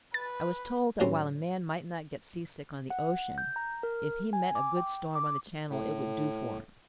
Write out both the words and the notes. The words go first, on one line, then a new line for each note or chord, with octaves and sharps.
I was told that while a man might not get seasick on the ocean, if he met a good storm on the Channel it would do for him.
B4 A6
A2 F#3 G3 C4 C#4
F#5
G6
A#5
A#4
G#5
D6
G5
D6
A2